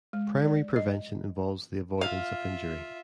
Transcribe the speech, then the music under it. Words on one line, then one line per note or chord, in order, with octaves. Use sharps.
Primary prevention involves the avoidance of injury.
G#3
D5
D#5
F4 E5 F5